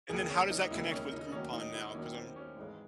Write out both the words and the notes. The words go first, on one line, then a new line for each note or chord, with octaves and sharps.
and then how does that connect with Groupon now, 'cause I'm
E1 D#2 C#3 G#3 G#4
C#4
D#4
E1 D#2 C#3 G#3 E4
C#4
D#4
D#2 D#3 F#3 C#4
D#4
E4
D#2 D#3 F#3 C#4
C4
C#4
G#1 G#2 E3 G#3